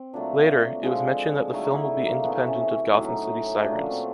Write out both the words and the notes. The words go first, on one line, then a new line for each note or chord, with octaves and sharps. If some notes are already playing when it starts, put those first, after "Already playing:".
Later, it was mentioned that the film will be independent of Gotham City Sirens.
Already playing: C4
A#2 F#3 A3 D4
D3 F3 G#3
D3 F#3 A3 D#4
D#4
E4
D#4
A#3
C3 E3 A3 B3
C#4
C#4
A2 F#3 A3 D#4
A#2 F#3 A3 D4
C#4
C4